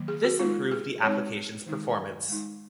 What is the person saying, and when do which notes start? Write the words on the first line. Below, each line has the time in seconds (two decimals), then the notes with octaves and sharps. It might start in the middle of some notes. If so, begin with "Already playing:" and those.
This improved the application's performance.
Already playing: D#3 F#3 A#3
0.08 G#4
0.24 F#4
0.39 G#3 D#4 F4
0.71 G#4
1.03 G#3 C4 D#4 C#5
1.66 D#3 G#3 D#4
2.29 G#3 D#4